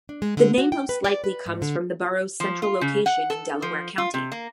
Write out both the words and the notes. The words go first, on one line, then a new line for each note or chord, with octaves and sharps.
The name most likely comes from the borough's central location in Delaware County.
D4
G#3
D3
F#4
G5
B4
D5
B4
G#2
D3
F3
F4
C#3
F#5
A4
F3
F4
C3
A#3